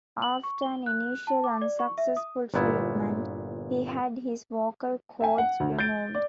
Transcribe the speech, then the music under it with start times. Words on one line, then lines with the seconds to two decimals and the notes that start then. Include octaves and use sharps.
After an initial unsuccessful treatment, he had his vocal chords removed.
0.22 F#7
0.43 C#6
0.62 G7
0.86 F#6
1.27 A5
1.44 D6
1.62 D5
1.79 C#6
1.98 E5
2.17 D#6
2.54 G1 A#2 B3 E4
5.21 E5 G5 G#5
5.38 F#5
5.60 D2
5.79 G6 A6 D7
6.15 D5